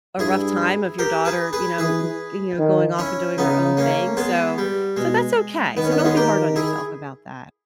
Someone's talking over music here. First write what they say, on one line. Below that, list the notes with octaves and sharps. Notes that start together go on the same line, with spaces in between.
a rough time of your daughter, you know, g you now, going off, and doing her own thing, so so, that's okay, so don't be hard on yourself about that.
G2 E4 G#4
G4 A#4
G#4 B4
G#4 B4
E3 G#4 B4
D#3
C#4 E4
C#3 B3 D#4
A#3 C#4
G#3 B3
G3
B2 G#3
D#3 B3
C#4
B3
C#4
G#3 B3
G4 A#4
E4 G#4